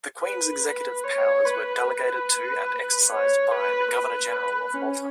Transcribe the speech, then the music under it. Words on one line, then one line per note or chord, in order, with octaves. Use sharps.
The Queen's executive powers were delegated to and exercised by the Governor-General of Malta.
B4
B4
C#5
B4
B4
C#5
B4
B4
C#4